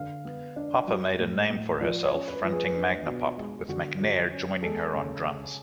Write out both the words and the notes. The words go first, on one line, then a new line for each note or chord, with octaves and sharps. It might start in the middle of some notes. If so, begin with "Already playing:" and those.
Hopper made a name for herself fronting Magnapop, with McNair joining her on drums.
Already playing: D3 F5
B3
D4
F#3
A2
A2
F3 D5
C#5
C#4
B4
F3
G#4
D4
B2
G#3
D3 F#4
F#3
C#4
G#3 A4
C#3
C#3